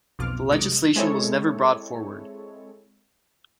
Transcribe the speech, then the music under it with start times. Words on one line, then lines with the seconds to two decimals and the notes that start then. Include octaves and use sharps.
The legislation was never brought forward.
0.19 B1 F2 B2 F4 D6 F6
0.51 C2 F#3 G#3 D#5 C#6 D6
0.96 G#3 C4 E4 A4 C#5